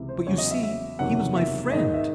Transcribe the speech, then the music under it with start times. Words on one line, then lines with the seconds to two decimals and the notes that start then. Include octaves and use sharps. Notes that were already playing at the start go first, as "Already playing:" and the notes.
"But, you see, he was my friend."
Already playing: C#2 C3 E3
0.09 C5
0.27 E2 C#3 F#3 C#5
0.38 D#5
0.51 E5
0.63 E5
0.99 F#1 E2 C3 D#3 F#3 F#5
1.36 E5
1.72 G#2 D#3 G#3 D#4 D#5
1.94 E5